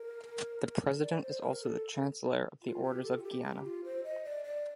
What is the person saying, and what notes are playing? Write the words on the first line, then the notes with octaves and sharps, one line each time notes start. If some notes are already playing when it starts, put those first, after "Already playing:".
The President is also the Chancellor of the Orders of Guyana.
Already playing: A#4
D5
C5
A#4
A4
F4
G4
A4
F4
G4
G4
F4
C5
D#5
D5
D5